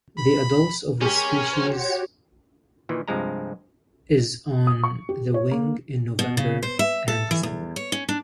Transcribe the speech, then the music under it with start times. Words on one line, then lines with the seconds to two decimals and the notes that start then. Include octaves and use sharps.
The adults of this species is on the wing in November and December.
0.18 B5
1.01 G#3 C#4 G4 A#4
1.53 F#4 G4 C5 C#5
2.89 A#2 D#3 E3
3.08 G2 C3 F3 G#3 A#5
4.67 D#6
4.84 C#6
5.09 G4
5.34 C#5
5.51 A#3
6.19 B2
6.37 C#3
6.63 C5
6.79 E5
7.08 A4
7.31 E3
7.43 E2
7.76 C#5
7.92 C#4
8.09 D4